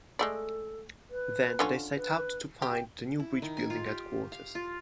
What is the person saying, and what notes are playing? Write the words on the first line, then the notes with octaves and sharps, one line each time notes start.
Then they set out to find the new bridge-building headquarters.
G#3 A3 A4 D5
B4
D3 C#4 F4
B4
G4 G5
E4
D#3
G#5
F4
G4
F5
F4